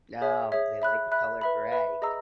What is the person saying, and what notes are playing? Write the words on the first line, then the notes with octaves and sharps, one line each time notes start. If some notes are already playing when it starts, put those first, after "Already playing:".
No, they like the color gray.
G#4 C#5 E5
G#4 C#5 E5
E5 B5 F#6
E5 B5 F#6
B4 E5 B5
B4 E5 B5
G#4 D#5 A#5 E6